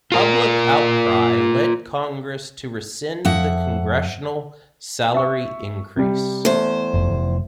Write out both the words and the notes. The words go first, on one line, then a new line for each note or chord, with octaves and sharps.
Public outcry led Congress to rescind the congressional salary increase.
F4 A#4
F2 E5 F#5
E5 C#6
C3 G3
E2 A3 C5
F1
F1